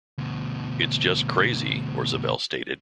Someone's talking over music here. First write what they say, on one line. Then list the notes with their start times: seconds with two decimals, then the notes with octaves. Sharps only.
It's just crazy, Orzabal stated.
0.18 D2 B2